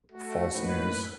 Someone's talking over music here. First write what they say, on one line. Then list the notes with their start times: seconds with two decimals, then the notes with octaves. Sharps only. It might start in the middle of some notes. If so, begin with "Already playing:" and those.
false news.
0.11 A3 F#4
0.55 A2 A#3 C#4 D#4 B4